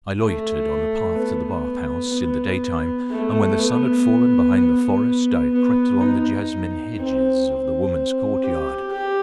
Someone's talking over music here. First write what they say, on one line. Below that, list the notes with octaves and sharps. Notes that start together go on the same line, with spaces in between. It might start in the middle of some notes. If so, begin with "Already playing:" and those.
I loitered on the path to the bath-houses in the daytime, and when the sun had fallen behind the forest I crept along the jasmine hedges of the women's courtyard.
A3
B3
B3
A3
B3
B3
B3
D#4
C4
C4
G4
G4